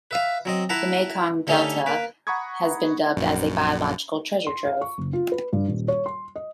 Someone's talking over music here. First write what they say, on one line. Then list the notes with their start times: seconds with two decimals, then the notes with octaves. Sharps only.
The Mekong Delta has been dubbed as a "biological treasure trove".
0.11 B4 E5 F5
0.45 F#3 C4 D#5
0.69 E4 B4 F#5 A5 A#5
1.47 D3 A3 C#4 D#4 G4 A4
1.86 A#3 B4
2.27 F#5 A#5 B5 C#6 D#6 G#6
3.16 A#1 F#2
4.47 C6
4.65 F5
4.81 C#6
4.98 F#1
5.13 F4
5.32 B4
5.53 G2
5.68 D#1
5.88 C#5
6.06 C6
6.36 D#5